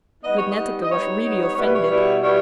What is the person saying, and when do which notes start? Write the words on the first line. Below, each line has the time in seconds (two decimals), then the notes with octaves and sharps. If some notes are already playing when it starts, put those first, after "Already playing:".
But Netteke was really offended.
0.23 G3 B3 D#4 D#5
0.38 C#5
0.51 D#5
0.57 G3 B3 D#4
0.82 D#5
0.90 G3 B3 D#4 C#5
1.22 G3 B3 D#4
1.55 B2 G3 B3 E4 C#5
1.66 B4
1.75 C#5
1.89 B2 G3 B3 E4
2.22 B2 G3 B3 E4 C#5